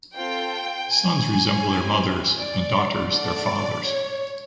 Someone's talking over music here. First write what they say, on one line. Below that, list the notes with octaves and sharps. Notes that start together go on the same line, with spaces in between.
Sons resemble their mothers, and daughters their fathers.
C4 F4 A4 G5
G#5
C4 E4 G4
D5
A3 D4 F#4 A4 D5
C#5